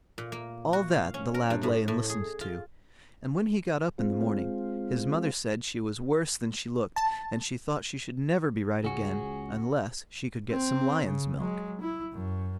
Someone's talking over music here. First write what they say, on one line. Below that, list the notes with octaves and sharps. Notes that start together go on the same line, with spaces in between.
All that the lad lay and listened to; and when he got up in the morning his mother said she was worse than she looked, and she thought she should never be right again unless she could get some lion's milk.
A#2
A#3
F#4
F5
C#4
A#4
G2
A2
A2
G#4
F4
G#3 C4 F4
A5
C#2 C#4 F#4 G#4
C4
C#3
F#3 G#3
E4
F#2